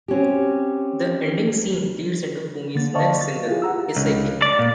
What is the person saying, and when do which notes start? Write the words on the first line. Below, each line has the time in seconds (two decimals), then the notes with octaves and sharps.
The ending scene leads into Kumi's next single, Kiseki.
0.08 C4 C#4 F#4 G4
2.75 D3 A#3 A6
2.94 C5 D5 D#5 F5 A5 C#6
3.21 A6
3.47 E4 F4 G4 G#4
3.62 F#5 A#5 E6
3.97 C#2
4.42 D5
4.59 A#2